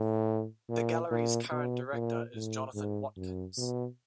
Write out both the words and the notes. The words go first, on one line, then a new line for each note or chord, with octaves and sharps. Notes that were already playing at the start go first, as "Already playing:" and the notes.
The gallery's current director is Jonathan Watkins.
Already playing: A2
A#2
A#2
B2
A#2
A2
G#2
F#2
B2